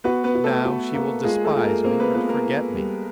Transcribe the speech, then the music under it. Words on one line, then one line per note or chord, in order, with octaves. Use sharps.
Now she will despise me and forget me.
B3 F#4 B4
B3 B4
F#4
A3 A4
F#4
A#3
G#3 F4 G#4
A3 A4
F4
A#3 A#4
A#3 C4 A#4
B3 B4
B3 F4 B4
A#3 A#4
F4
G3